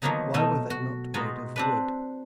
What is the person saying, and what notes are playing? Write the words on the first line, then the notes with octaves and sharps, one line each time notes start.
Why were they not made of wood?
D#3 F3 F#3 A#3 B3 D#4
B2 A3 D#4
F#4
G#3 B3 D#4 F4 F#4
C4 D4 B4